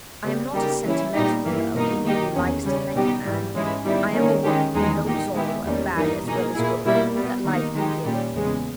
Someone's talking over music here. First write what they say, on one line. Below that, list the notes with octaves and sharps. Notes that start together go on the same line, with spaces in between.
I am not a sentimental girl, who merely likes to thank a man; I am a woman who knows all, of bad as well as good, that life can give.
C#3 G3 B3
C#3 G3 A#3 D#4 G4
E3 A#3 C#4 E4
A#2 G3 B3 D#4 G4
G2 E3 A#3
B2 A#3 D#4
D#3 A#3 D#4 G4
E2 D#3 A#3 C#4
C#3 G3 C#4
B2 G3 B3 D#4 G4
G#2 E3 G3
G#2 E3 G#3 C#4 E4
D#3 G3 B3 E4
D#3 A#3 C#4
D#3 G#3 C#4 G4
E2 D#3 G#3 D#4 G#4
A#2 A#3 D#4 G4
D#3 G#3 B3 E4 G4
E2 D#3 G3 A#3 C#4
G2 E3 G3 A#3 D#4
B2 A#3 D#4 G#4
A#2 A#3 E4 G#4
B2 G3 A#3 E4
B2 G3 B3
D#3 A#3 D#4
D#3 G#3 D#4 G4
A#2 G3 C#4 G4
E2 C#3 G#3 B3